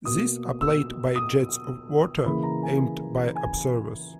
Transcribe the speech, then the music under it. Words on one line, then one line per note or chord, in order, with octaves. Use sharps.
These are played by jets of water aimed by observers.
B2 A#3 D#6
E6
D#6
C#3 E3 A#3 B5
A#5
G#5
G#5